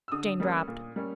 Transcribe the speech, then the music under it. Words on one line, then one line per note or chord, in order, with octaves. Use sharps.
Jane dropped.
E6
D3 D#6
G3 A#3 C#4
A#2
G3 A#3 C#4